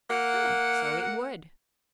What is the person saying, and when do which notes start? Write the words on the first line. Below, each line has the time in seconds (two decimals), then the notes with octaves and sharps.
And so it would.
0.10 A#3 F#5